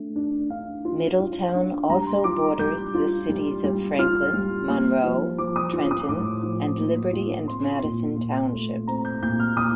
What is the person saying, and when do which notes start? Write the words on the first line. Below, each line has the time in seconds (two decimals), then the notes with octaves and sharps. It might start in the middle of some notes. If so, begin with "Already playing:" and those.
Middletown also borders the cities of Franklin, Monroe, Trenton, and Liberty and Madison Townships.
Already playing: A3 D4
0.16 D4
0.50 D4 F5
0.85 F4
1.20 F4
1.55 D4
1.90 G3 A#5
2.07 C6
2.24 F4 D6
2.59 G3 G6
2.94 F4
3.29 G3
3.64 G3
3.99 F4 F6
4.34 G3
4.69 A#3
5.04 F3
5.38 F3 D6
5.56 D#6
5.73 F4
5.91 D#6
6.08 A2 D6
6.43 F3
6.78 A#3
7.13 F4
7.47 C4 C6
7.83 A#2
8.18 A#2
8.53 A3
8.87 C4 A#5
9.05 G6
9.22 A#2 G6
9.40 F6
9.57 A#2 D#6